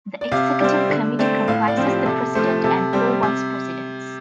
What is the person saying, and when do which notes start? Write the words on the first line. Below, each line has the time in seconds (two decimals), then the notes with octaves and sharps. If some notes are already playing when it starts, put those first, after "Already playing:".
The Executive Committee comprises the President and four Vice-Presidents.
0.21 D5
0.32 C3 F5
0.60 G3 C4 D5
0.90 D3
1.19 A3 C4 D5
1.48 A2 F5
1.68 D5
1.77 F3 C4
1.87 G4
2.06 C3 A4
2.35 F3 A3 C5
2.64 C3 A4
2.93 G3 C4
3.23 C3